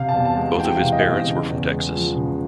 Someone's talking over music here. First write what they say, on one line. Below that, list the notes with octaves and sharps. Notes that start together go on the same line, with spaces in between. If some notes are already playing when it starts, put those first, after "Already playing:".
Both of his parents were from Texas.
Already playing: C3 F5
A5
E2
A5
G#3
E3 G5
F5
C3
D#5
E2
C#3
E2
G#3
F3
C#3